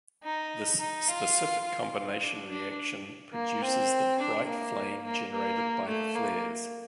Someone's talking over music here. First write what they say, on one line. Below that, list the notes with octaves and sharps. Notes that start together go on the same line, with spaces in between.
This specific combination reaction produces the bright flame generated by flares.
D#4
D#4
F4
F4
D4
D4
A#3
C4
D4
A#3
A#3
A#3
A3
A#3